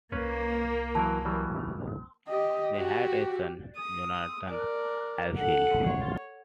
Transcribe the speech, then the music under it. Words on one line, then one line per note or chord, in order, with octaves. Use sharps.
They had a son, Jonathan S Hill.
C2 A#3 C#4 B4 C#5
E3 F#3 A#4 A5
E3 F#3 G3
G4 D#5
F#4 G4
D#6
A#4 D5
A4 F#5
C#5